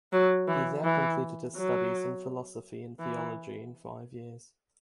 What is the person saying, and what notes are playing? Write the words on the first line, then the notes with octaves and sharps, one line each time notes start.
He there completed his studies in philosophy and theology in five years.
F#3
E3
E3
F#3
E3